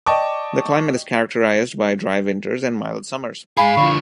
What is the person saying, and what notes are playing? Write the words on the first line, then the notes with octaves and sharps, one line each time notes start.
The climate is characterized by dry winters and mild summers.
D5 D#5 G5 A5 C#6 D6
G#2 G#4 F5 G#5 B5
D3 F3 C#6